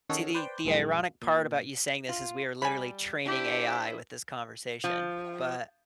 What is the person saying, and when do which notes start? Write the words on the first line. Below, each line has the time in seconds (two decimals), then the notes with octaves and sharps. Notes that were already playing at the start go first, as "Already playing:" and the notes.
See, the the ironic part about you saying this is we are literally training AI with this conversation. But
0.09 D#3 C#4 F#4 G#4 A4
0.34 B4 C5 D5 G5
0.65 A#1 F#2 E3 G#3
1.22 A#2
2.09 F4
2.62 G3 G#5 B5
3.26 D4 E4 G4 C5
4.84 F3